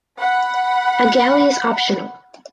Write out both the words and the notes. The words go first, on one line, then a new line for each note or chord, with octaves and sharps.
A galley is optional.
F#5 B5